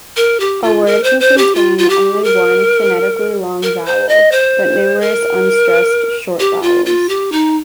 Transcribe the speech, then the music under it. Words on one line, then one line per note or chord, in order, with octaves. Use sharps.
A word can contain only one phonetically long vowel, but numerous unstressed short vowels.
A#4
G4
F4
A#4
C5
C5
G4
F4
F4
G4
A#4
A#4
C5
D#5
C5
A#4
G4
F4
F4
G4
D#4